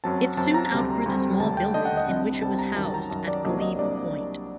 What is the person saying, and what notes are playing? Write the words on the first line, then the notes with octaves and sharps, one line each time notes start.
It soon out-grew the small building in which it was housed at Glebe Point.
F#2 F#3 C4 A5
F#2 F#3 C4 A5
A#5
D2 C3 G3 C4
D2 C3 G3 C4
D#2 D3 A3 D4 A5
G5
D#2 D3 A3 D4 D#5
F#5
D#5
C2 C3 G3 C4
C2 C3 G3 C4 A5
A#5
F#2 D#3 F#3 A5
A#5
F#2 D#3 F#3 A5
D5
C2 C3 F#3 A#3 D4 D#5
D#5
C2 C3 F#3 A#3 D4 D5